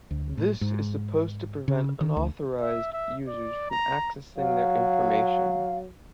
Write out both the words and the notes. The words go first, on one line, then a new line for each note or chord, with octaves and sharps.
This is supposed to prevent unauthorized users from accessing their information.
D2
A2
G#2
C#3
D#3
D2
E5
E5
D5
A#5
F#3 F5